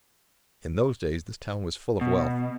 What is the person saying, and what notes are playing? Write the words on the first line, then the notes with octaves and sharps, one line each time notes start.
In those days this town was full of wealth.
B2